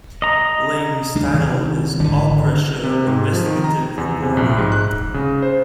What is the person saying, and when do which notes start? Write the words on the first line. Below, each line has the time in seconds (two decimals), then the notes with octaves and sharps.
Ling's title is Oprah Show Investigative Reporter.
0.22 D#5 A#5
1.15 D2 G#3 D4
1.34 C2 D#3
2.00 G#1 D3 E3
2.84 C3
3.07 G#2
3.32 F3
3.46 D#3
3.64 A#5
3.98 E2
4.22 C3
4.37 A#1
4.57 G#2
4.72 F#6
5.14 C#3
5.42 C5